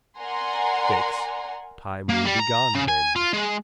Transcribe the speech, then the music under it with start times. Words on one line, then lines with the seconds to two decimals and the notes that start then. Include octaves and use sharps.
Six. Time will be gone then.
0.19 A#4 D5 F#5 G#5 A#5 C6
2.09 A#3
2.25 G3
2.39 A#5
2.74 C#3
2.88 G#5
3.16 F4
3.33 G#3